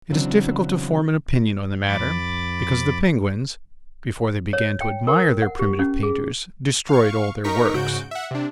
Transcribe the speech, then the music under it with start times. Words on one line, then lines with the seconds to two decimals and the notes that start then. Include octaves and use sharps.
It is difficult to form an opinion on the matter, because the Penguins, before they began to admire their primitive painters, destroyed all their works.
0.10 C#3 E3 F#3 C4 D4
1.87 F2 B5 D6 A6
4.53 C#5
4.81 G5
5.07 A#4
5.42 F#5
5.59 G4
5.79 C#4
6.03 G#4
6.89 F5 C#6
7.44 D#4 A#4 A#5 C#6 B6
7.74 G#2 C#3 F#4 G6 D7
8.11 E5 F#5
8.31 C3 D4